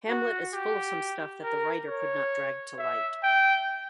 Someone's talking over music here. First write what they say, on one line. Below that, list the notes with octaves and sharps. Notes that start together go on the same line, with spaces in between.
Hamlet is full of some stuff that the writer could not drag to light.
F#4
G4
A#4
C#5
E5
G5